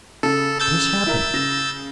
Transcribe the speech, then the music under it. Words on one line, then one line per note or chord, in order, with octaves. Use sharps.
What has happened?
C#3 A4
E6 G6 A6
E4 A#4 E5
C#3 A#6 E7